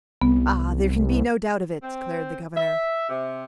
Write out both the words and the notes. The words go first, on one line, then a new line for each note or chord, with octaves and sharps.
"Ah! there can be no doubt of it," declared the governor.
C2 B3
C4
E5
C3